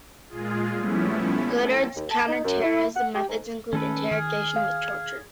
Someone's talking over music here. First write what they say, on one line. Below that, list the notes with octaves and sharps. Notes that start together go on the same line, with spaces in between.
Godard's counter-terrorism methods included interrogation with torture.
A#2 G#3 F4 G#4
F3 G3 A3 B3 C#4 E4
A4
D#2
A5
D#4
F#2
E4
F#5
G4
G#2
D#3 A3 C#4 A4 B4
D#3 G#4 F6
F5